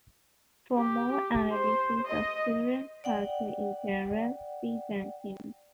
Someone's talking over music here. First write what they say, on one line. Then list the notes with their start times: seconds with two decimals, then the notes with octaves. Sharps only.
For more analysis of children's culture in general, see Jenkins.
0.77 G4
1.13 G4
1.51 C5
2.08 D#5
3.04 D5 F#5 G5